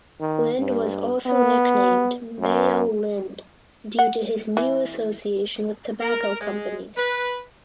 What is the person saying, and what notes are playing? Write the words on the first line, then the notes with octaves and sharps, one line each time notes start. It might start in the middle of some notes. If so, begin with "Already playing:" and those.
Lind was also nicknamed "Mayo Lind" due to his new association with tobacco companies.
D#3
G2
B3
F#2
F#5
E3
A#4
G#3
B4